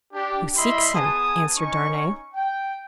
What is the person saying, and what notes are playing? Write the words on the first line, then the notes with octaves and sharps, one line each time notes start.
"Who seeks him?" answered Darnay.
D4 G4
G3 E4 D#5 E5 B5 C6
B3 G#4 G#5 A5 D#6
C#4 D#4 G#5 C#6
G5